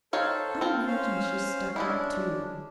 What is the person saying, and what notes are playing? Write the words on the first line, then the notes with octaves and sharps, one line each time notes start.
I imagine she's stuck up, too.
D#3 A4 C5 C#5 F5
C4 F4
C#4 C5 F5
G#3 C#4 D4 E4